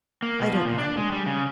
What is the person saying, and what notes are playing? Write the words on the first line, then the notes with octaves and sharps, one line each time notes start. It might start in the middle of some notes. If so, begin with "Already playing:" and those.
I don't know.
A#3
B2
F3
A#2
D4
G#3
G3
C#3